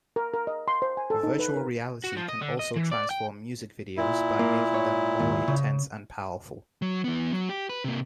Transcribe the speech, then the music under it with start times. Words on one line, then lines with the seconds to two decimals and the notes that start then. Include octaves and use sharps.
Virtual reality can also transform music videos by making them more intense and powerful.
0.16 A#4
0.34 A#4
0.47 D#5
0.68 C6
0.82 C5
0.97 G#5
1.10 A4
1.23 D#4
1.39 B4
1.56 A#4
2.04 F#4
2.17 F3
2.29 D#5
2.42 D3
2.60 D#5
2.76 E3
2.91 D5
3.11 G5
3.97 A#2 E4
4.39 A#3
4.74 C#5
5.19 D#2 G#2
5.48 C#3
6.82 F#3
7.04 E3 B3
7.33 F#3
7.49 G4
7.69 B4
7.84 C3 A#3